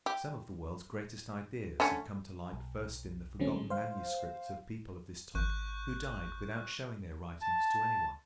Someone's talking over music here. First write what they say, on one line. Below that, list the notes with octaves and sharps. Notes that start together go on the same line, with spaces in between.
Some of the world's greatest ideas have come to light first in the forgotten manuscripts of people of this type who died without showing their writings to any one.
G4
D3 A3 C#4
B1
D3 F#3 A3 C4 C#4
G#3
C5 F5
G#1 C#6 F#6 G6
A5